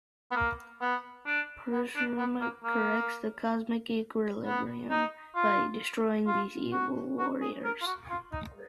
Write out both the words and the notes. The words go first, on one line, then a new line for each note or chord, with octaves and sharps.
Parashurama corrects the cosmic equilibrium by destroying these evil warriors.
B3
A#3
B3
D4
B3
D4
B3
A#3
A#3
B3
D#4
F4
F4
F#4
F#4
G#4
A#4
F4
F#4
F4
D#4